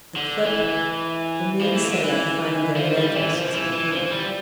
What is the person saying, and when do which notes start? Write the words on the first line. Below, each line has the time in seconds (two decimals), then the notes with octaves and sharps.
"The 'Clipper.' The man said I'd find their addresses in here."
0.16 D3
0.45 E3
1.61 F3
1.75 E3
1.90 D3
2.04 E3
2.76 F3
2.95 G3
3.15 E3
3.34 F3
3.54 E3
3.72 E3
3.92 F3
4.11 G3